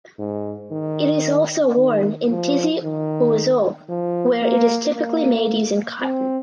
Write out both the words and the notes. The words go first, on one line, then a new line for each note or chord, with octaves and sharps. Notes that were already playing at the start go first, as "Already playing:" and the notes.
It is also worn in Tizi Ouzou where it is typically made using cotton.
G#2
D#3
D#3
F3
D#3
F3
A#3
A#3
C4